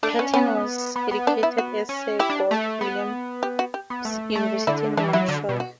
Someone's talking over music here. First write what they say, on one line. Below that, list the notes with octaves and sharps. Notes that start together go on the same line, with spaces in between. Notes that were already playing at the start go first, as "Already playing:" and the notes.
Patten was educated at Sir George Williams University in Montreal.
A3 D4
B3 C#4
B3 C#4
B3
B3
D4
E4
F#4
C#4
E4 G4
D4
A3
B3
G4
F#4
G4
B3
A3
A3
D3 E4
E3 D4
F#3 E4
D3
B2
F#4